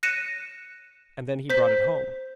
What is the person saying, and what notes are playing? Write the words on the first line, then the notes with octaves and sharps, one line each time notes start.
And then he brought it home.
F#6 A#6 C#7 D#7 E7
C5 G6 B6